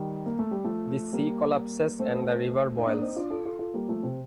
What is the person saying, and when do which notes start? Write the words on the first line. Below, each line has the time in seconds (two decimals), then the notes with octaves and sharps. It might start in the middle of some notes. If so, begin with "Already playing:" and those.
The sea collapses and the river boils.
Already playing: D#3 G3
0.26 A#3
0.39 A3
0.51 G3
0.64 F3 A3
1.13 G3 A#3
1.99 A3 C4
2.78 D#4
2.87 A#3 D4
3.01 C4 D#4
3.16 D4 F4
3.30 F4 A4
3.45 F4 A4
3.59 F4 A4
3.74 G3 A#3
3.89 F3 A3
4.03 C3